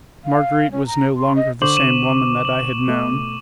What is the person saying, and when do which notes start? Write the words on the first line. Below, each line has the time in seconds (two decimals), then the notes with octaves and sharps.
Marguerite was no longer the same woman that I had known.
0.24 F5
0.71 C#4
0.86 A#5
1.16 C6
1.36 D#5
1.62 D3 C5 C#6 D6 F#7
1.77 D#7 E7
2.45 F#7
2.88 B2 A3